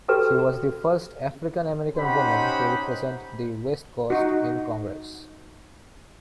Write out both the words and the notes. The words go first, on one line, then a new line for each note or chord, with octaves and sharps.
She was the first African-American woman to represent the West Coast in Congress.
F#4 G4 A4 B4 G5
C#4 D#4 G4 C5 F#5 B5
D#4 F#4